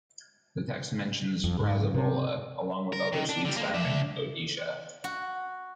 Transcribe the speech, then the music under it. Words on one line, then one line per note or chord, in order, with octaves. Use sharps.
The text mentions Rasagola, along with other sweets found in Odisha.
F2
G#2
C3
A#4
D#3
D4
D3 G3
G#3 A#3
D4 E5
F#4